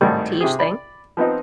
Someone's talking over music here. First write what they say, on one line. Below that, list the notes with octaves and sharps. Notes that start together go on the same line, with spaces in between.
to each thing?
G#1 A2 D#3 G3
C3 G4 G#4
D5 B5
F3 B3 C4 D#4